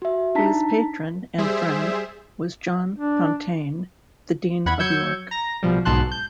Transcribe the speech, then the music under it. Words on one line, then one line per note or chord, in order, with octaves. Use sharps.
His patron and friend was John Fountayne, the Dean of York.
F#4 E5
D4 D#4 A5 A#5 B6
G3 G#4 C5 E5
D4
E2 F#5 B5 G#6
F#3 E6 G6 G#6 C#7
A#5 A#6
A#1 B2 F3 G3
B1 G#2 B2 A5 C6 F#6
G6